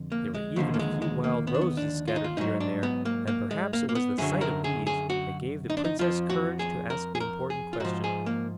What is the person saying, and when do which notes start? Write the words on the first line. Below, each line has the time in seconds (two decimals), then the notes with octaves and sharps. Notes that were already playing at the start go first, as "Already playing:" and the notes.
There were even a few wild roses scattered here and there and perhaps it was the sight of these that gave the Princess courage to ask the important question.
Already playing: F2 D3
0.12 A#3
0.35 G#3
0.56 D#2 D3 F3 F#3
0.74 A#3
0.79 G#3
1.02 G#3
1.24 A#3
1.47 B3
1.55 D4
1.61 B3
1.77 D4
2.08 F4
2.16 D#4
2.24 F4
2.37 G#2 F#3 D#4
2.60 D4
2.83 B3
3.05 A#3
3.27 A#3
3.51 G#3
3.73 A#3
3.89 A#3
3.95 B3
4.18 F#2 D3 F#3 G#4
4.41 A#4
4.64 G#4
4.87 G#4
5.10 F#4
5.70 D#4
5.77 D4
5.85 D#4
5.99 F2 F3 F4
6.30 F#4
6.59 G#4
6.90 A#4
7.15 G#4
7.20 A#4
7.50 G#4
7.73 F4
7.80 G#2 F3 F#4
8.04 G#4
8.26 A#3